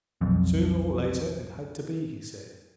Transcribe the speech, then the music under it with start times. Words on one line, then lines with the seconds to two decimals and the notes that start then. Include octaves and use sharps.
"Sooner or later it had to be," he said.
0.21 B1 F2